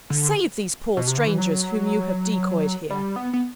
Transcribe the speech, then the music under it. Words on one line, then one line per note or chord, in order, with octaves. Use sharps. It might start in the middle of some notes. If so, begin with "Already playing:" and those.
Save these poor strangers, whom you have decoyed here.
D3
B2
C3
D3
E3
F#3
G3
B3
B3